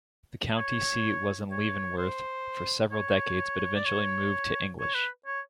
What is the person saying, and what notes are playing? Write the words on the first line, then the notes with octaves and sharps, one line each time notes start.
The county seat was in Leavenworth for several decades but eventually moved to English.
C#5
C#5
C5
C#5
D5
C#5
C#5
B4
C#5